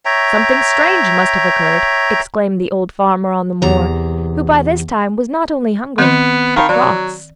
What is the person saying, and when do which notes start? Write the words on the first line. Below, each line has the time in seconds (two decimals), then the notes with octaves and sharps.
'Something strange must have occurred,' exclaimed the old farmer on the moor, who by this time was not only hungry, but cross.
0.05 C#5 E5 G5 A#5
3.62 E2 C3 A#5
5.98 D#3 B3 C4
6.56 D#3 F5 A5 B5
6.69 F#3 D5